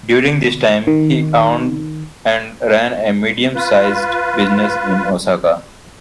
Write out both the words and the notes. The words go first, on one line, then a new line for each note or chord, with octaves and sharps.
During this time he owned and ran a medium-sized business in Osaka.
D#3
F4 B4